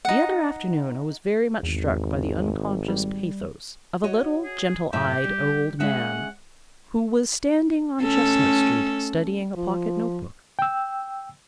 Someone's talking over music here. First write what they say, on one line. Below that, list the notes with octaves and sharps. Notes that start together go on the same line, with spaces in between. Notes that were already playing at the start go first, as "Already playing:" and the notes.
The other afternoon I was very much struck by the unconscious pathos of a little, gentle-eyed old man who was standing on Chestnut Street studying a pocket notebook.
D#4 F#5
G#1 E2
G3
F#4 C#5 D#5
G#4
F#2 A2 G4 E5
G3
G#3 C#4 E5 F#5
A3 C#4 A4
F3
G5 E6